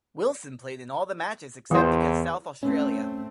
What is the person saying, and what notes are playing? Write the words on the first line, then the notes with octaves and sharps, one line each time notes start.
Willson played in all of the matches except against South Australia.
E2 E3 C5
A3 C4 C#4